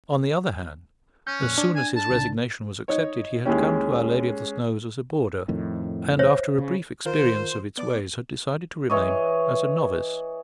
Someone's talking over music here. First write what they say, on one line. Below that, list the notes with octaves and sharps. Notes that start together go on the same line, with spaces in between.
On the other hand, as soon as his resignation was accepted, he had come to Our Lady of the Snows as a boarder, and, after a brief experience of its ways, had decided to remain as a novice.
C#4 G6
F2 A#2 F#6
D4
G#5
A5
C2 C#3 D4
D#4 C#5
D#2 G#3 C#4 E4 G5
F2 A2 D#3
C5 C#5 E5
C#3
D#3 F4 A#4 C5
B3 D5
E3 C#5 D#5